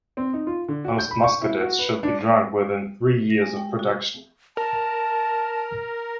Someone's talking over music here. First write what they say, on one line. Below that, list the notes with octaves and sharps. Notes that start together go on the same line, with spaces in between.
Most Muscadets should be drunk within three years of production.
C4
D#4
F4
D3
F#4
G6
B5
C#6
E4
F#4
B4
D4
A#6
G#3
G5
F#4
A#4 A5